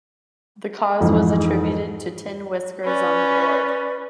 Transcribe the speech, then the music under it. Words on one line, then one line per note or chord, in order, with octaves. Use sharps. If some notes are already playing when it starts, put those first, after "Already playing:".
The cause was attributed to tin whiskers on the board.
F2 G#2 E3
C#4 B4 D5 B5